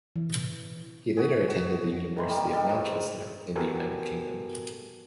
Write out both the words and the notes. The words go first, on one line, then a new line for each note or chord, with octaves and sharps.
He later attended the University of Manchester, in the United Kingdom.
E3
F#4 G#4
F#4
D#3 E3 C6
D#3 G3 A#3 D#4
G2 D#3 G3 A4
G#2
B3 F#4 G4 A4 A#4 G#5